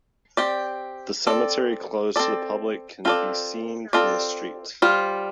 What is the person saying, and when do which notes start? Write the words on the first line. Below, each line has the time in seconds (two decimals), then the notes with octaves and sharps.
The cemetery, closed to the public, can be seen from the street.
0.37 C4 G4 D5
1.27 C4 A4 D5
2.16 C4 A4 D5
3.05 C4 F4 A4 D5
3.93 C4 F4 A4 D5
4.82 G3 F4 C5